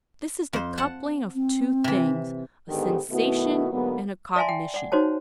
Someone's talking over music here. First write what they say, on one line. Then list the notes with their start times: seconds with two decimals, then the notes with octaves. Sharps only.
This is the coupling of two things--a sensation and a cognition.
0.53 F2 C5
0.78 F#5 A5
1.35 C4
1.84 C3 E3
2.69 G#2 D3 D#3 B3 G4
3.09 B2 D#3 A3 B3 E4 F#4
3.72 G#2 D3 F#3 A#3 B3
4.36 D5 E5 F5 G#5 A5 C6
4.49 G5
4.74 D5 F#5
4.92 D#4 F#4 C5 C#5 A5